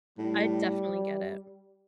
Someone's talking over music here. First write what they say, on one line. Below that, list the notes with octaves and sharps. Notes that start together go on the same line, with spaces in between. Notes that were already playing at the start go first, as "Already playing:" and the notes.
I definitely get it.
A2 G3